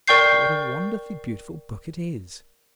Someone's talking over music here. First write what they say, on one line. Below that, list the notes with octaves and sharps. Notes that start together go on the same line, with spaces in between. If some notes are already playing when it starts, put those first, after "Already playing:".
But what a wonderfully beautiful book it is!
A#4 D5 G5 C#6 G6 C7